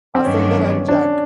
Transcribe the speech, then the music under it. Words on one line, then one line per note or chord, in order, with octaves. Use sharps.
Asunder and Jack!
C4
G2 D#3 F#3 B3 C#4 D4
D4